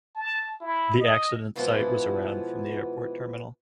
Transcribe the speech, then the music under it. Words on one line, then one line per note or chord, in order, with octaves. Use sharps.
The accident site was around from the airport terminal.
A5
E4
D#5
B2 E3 F3 G#3 B3